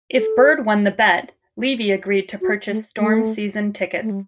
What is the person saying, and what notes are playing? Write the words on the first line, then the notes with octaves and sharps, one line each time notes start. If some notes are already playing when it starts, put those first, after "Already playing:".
If Bird won the bet, Levy agreed to purchase Storm season tickets.
A4
F#4
A3
A3
A3
G3